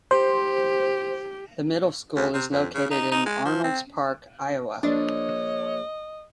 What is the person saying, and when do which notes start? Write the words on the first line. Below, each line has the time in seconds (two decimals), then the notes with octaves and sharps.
The middle school is located in Arnolds Park, Iowa.
0.11 G4 C5
2.16 D2
2.34 C3
2.52 F2
2.75 C#3
2.91 D#4
3.12 D#4
3.26 G#3
3.45 F3
3.64 C4
4.83 A#1 D4 C#5 D#5